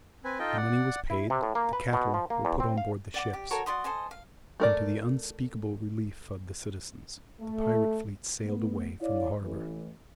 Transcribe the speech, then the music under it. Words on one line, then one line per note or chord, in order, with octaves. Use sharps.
The money was paid, the cattle were put on board the ships, and to the unspeakable relief of the citizens, the pirate fleet sailed away from the harbor.
C4 B4 G#5
D#4 F4 A4 D#5 G5
D5 F#5
E4
C3
A2
A#3
B4
B2
F3
A#3
E2
C4
F5
D5 F#5 D6
G4
F#4 A4 A#4 C#5
F#4 D5 C6 D#6
A4 C5 D#5 G#5
F5
A3 A#4 D5
A3
A3 B3
E4 C#5 D5 F5
A1 E3